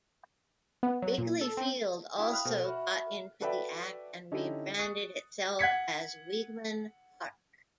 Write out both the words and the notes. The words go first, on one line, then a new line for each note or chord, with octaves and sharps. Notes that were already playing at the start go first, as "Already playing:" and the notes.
Wrigley Field also got into the act and rebranded itself as Weeghman Park.
B3
F#3
A#2
A4
C4
D4 E4 F#4 F5 G5 D#6
B5 F6 F#6
B2 A4 C5
F#4 E5 B5
F#4 A4 B4 D5 E5 G5
D3 C#4 D#4 E4 G4 A4
C#6 D#6 F#6 A6 C#7
F#5 G#6 B6 C#7